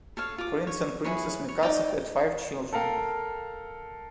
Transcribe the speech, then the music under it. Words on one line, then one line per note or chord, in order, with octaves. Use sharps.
Prince and Princess Mikasa had five children.
A4 C#5 F5
F4 D6
C#5
E4 G#4 B4 C#5
C#5
D#4 D5 G5 D6
A4 A#4 F5 G5